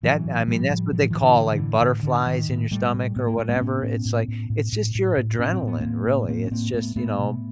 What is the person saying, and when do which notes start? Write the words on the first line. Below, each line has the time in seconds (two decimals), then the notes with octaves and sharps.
That I mean, that's what they call like butterflies in your stomach or whatever. It's like, it's just your adrenaline, really. It's just, you know,
0.03 A2 E3 F#3
0.25 A2
0.47 A2 F3 G3
0.70 A2
0.92 A2 F3
1.02 E3
1.10 A2 D#3 F3
1.22 D3 E3
1.37 A2
1.51 D3 E3
1.60 A2
1.82 A2 D3
2.03 A2 D3
2.26 A2 D#3
2.49 A2
2.71 A2 G3 A3
2.94 A2
3.16 A2 B3
3.27 A#3
3.38 A2 A3
3.49 G#3 A#3
3.56 C4
3.60 A2 B3 C#4
3.83 A2
4.05 A2
4.28 A2
4.50 A2
4.72 A2
4.95 A2
5.17 A2
5.39 A2 C#4
5.53 C4
5.62 A2 B3
5.81 A2 A#3 C4
6.07 A2
6.29 A2 A#3 C4
6.46 C#4
6.51 A2 A#3 C4
6.74 A2 A3 B3
6.96 A2 A3 B3
7.19 B2